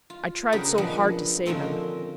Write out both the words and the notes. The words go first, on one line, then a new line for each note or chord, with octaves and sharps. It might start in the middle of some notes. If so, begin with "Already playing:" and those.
"I tried so hard to save him."
F4
C#3 B3 D4 G4 G#4 A#4
A#2 F3 G#3 B3 D4
D3 D#3 F3 A#3 C4 C#4